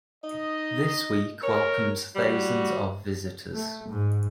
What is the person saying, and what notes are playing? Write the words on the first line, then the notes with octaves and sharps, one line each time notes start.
This week welcomes thousands of visitors.
D#4 D#5
A#4 C#5
G3 F#4
A3
G#2